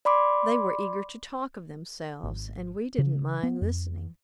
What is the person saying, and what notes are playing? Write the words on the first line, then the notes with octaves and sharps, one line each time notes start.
They were eager to talk of themselves and we didn't mind listening.
D5 B5 C6 D6
G#1
C#3
B3
F2